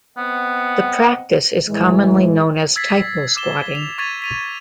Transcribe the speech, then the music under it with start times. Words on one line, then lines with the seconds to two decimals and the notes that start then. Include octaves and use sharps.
The practice is commonly known as "typosquatting".
0.17 B3 C4 D#5 F#5
1.69 A2 E3 G#3
2.76 E6 G#6 A6 B6 C7
3.37 D6 E7 G7
3.75 F7
3.98 C#6 G#6 A6 B6 D#7 F7
4.22 B6 D#7 F7